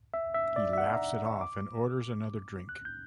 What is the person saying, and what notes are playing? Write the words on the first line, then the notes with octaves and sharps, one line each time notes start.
He laughs it off and orders another drink.
E5
E5
D5
E5
F#5
A#5
C#6
D6
F#6
G6